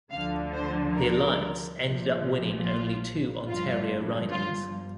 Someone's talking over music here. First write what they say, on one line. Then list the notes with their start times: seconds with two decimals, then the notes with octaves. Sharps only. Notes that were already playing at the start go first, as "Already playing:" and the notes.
The Alliance ended up winning only two Ontario ridings.
0.11 D2 D3 F3 F5
0.53 C5
0.95 A#4
1.79 A#1 A#2 F3
2.64 F4
3.48 G1 G2 F3 F4
4.32 F4